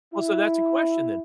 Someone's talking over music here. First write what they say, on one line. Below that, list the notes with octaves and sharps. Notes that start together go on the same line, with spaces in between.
Well, so that's a question then.
E4